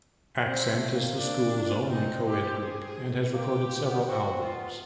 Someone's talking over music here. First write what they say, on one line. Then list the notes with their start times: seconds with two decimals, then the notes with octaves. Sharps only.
Accent is the school's only co-ed group and has recorded several albums.
0.46 G3 C4
0.70 A3
0.94 A#3
1.18 D4
1.81 C#4
1.90 C4 D#4
2.26 G4
2.62 G#4
3.34 A#3 G4
3.90 B3
4.07 C4 F#4
4.31 C4
4.43 F4
4.55 B3